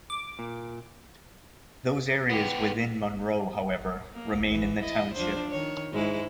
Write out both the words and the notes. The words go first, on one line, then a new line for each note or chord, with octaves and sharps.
Those areas within Monroe, however, remain in the township.
D6
A#2
B3 G4
A#3
E3
E4 D#5
F3 D4 C5
D#3 C#5
G#2 G#3 E4